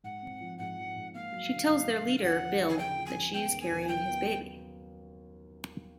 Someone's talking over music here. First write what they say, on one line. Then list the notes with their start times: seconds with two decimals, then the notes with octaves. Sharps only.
She tells their leader, Bill, that she is carrying his baby.
0.04 G#2 F#5
0.22 C4
0.40 F3
0.58 G#2 F#5
0.77 F3
0.96 G#2
1.14 A#3 F5
1.32 F#3
1.50 D3
1.69 G2
1.88 F#3
2.06 D3
2.17 F5
2.23 D#2 F#5
2.42 F3
2.60 C#3
2.69 G#5
2.79 C#3 G5
2.97 F3
3.06 G#5
3.15 C#3
3.33 B3 G5
3.52 D#2
3.61 G#5
3.70 D#2
3.88 F#3 G5
4.07 B3